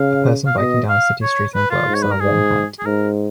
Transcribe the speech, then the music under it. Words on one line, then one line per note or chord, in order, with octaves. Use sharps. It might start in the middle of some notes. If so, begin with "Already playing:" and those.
A person biking down a city street in gloves and a warm hat.
Already playing: C#3 F5
F5
B2 D#5
F5
C#5
B4
F4
G#2
C#5
B4
A#4
G#2 G#4
G#4
G#2 A#4